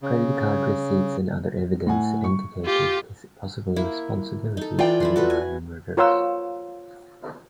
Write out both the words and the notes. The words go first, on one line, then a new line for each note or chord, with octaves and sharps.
Credit card receipts and other evidence indicated his possible responsibility for the Ohio murders.
C#3
A2 F#5 G#5
C#6
F4 G4
A#3 E4
D#4 A4
E3 F4 D5 G5
E4 B5 C6
F#4 A4 B4
G#5
F4 A#4 C#5 F#5 C6 E6